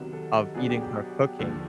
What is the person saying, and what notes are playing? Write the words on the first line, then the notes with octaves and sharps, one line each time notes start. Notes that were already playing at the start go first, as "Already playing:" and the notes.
of eating her cooking.
Already playing: C3 D#3 F#3 B3
A4
B2 F#3 B3 D4 G#4
G4
G4
D#2 D3 F3